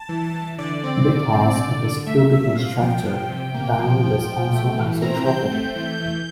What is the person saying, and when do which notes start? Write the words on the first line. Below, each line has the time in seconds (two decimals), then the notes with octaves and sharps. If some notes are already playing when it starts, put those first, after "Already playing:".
Because it is cubic in structure, diamond is also isotropic.
Already playing: A5
0.09 E3
0.34 E3
0.58 D3 D5
0.84 C4
1.08 D3
1.33 C4
1.57 D3
1.82 D3
2.06 A3 E5
2.30 A3 E5
2.55 C3 F5
2.81 F3 G5
3.05 F3 G5
3.29 C3
3.54 A#3
3.79 F3
4.03 F3
4.28 F3
4.53 A3
4.77 E3
5.02 C4 A#5
5.26 C4 G6
5.51 A3
5.76 E3
6.01 E3